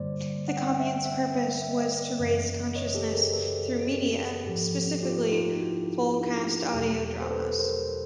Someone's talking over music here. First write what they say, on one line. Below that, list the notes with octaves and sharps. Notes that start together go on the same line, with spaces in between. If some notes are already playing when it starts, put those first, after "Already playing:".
The commune's purpose was to raise consciousness through media, specifically full-cast audio dramas.
Already playing: G2 D3 G3 A#3 C5 D5
F#5
G5
F#5
G5
E5 F#5
E5 F#5
E5
D#5
D5 E5
F#2 C#3 E3
C#5 D#5
G4 A4
G#4 A#4
A4 B4
G#2 F3 A#3 G4 A4
F4 G4
D#4 F4
E4 F#4
D4 E4
E2 B2 F#3 A3 G4 A4
C5
A4 B4
A#4 C5